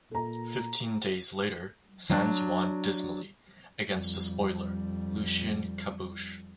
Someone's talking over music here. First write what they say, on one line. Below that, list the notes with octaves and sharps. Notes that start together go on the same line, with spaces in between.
Fifteen days later Sands won, dismally, against a spoiler, Lucien Caboche.
A#2 A4 A#5
F#3 D4
F2 G3